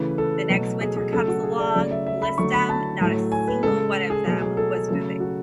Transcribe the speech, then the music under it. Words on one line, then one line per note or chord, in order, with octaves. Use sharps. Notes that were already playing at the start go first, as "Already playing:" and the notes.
the next winter comes along, list 'em, not a single one of them was moving
Already playing: C#3 E3 A3 B4
A4
B2 F#3 A3
G#4
G#4
C#3 F#3 A3 A4
F#4
G#4
D5
C#3 F#3 A3 D5
E5
E5
B5
D3 F#3 A3 C#6
B5
A5
A2 F#3 A3
G#5
B4
C#3 G#3 A4
G#4
B2 F#3 A3 G#4
G#4
A4
C#3 F#3 A3 A4
F#4